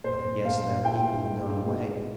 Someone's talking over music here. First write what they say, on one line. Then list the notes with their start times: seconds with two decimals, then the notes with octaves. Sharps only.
But I guess them people have gone away.
0.04 A#2 C5
0.44 A#2 F5
0.85 E4 G5
1.25 G#3
1.66 G#2